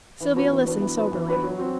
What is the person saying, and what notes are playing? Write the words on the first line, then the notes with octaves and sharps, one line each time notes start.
Sylvia listened soberly.
E3
B3 D4 F#4 B4
E3
B3 D4 F#4 B4
E3
B3 D4 F#4 B4
E3
B3 D4 F#4 B4
F#3
C4 F#4